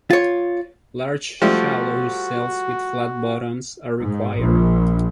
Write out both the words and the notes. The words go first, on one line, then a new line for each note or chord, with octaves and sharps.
Large shallow cells with flat bottoms are required.
F4 C#5
F3 G3 A3 F#4
G#2
A#1